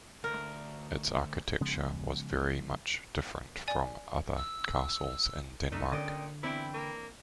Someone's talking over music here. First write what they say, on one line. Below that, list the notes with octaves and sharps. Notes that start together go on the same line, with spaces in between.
Its architecture was very much different from other castles in Denmark.
D2 A#4
C#3 F3 G#3 B3
D5 G#5
E6
F#2 D#3 A3 D4 D#4
A#2 D3 C#4 D5 D#5 G5
E3 C4 D4 E4 B4 G5
A#3